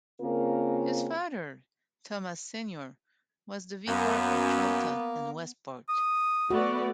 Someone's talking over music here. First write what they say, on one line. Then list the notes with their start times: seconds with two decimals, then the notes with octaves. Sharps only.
His father, Thomas Senior was the vicar of Charlton and Westport.
0.20 C#3 A#3 C4 F4 A#4
3.88 F#2 A#3 B3
5.89 D#6
6.50 A3 B3 F#4 D5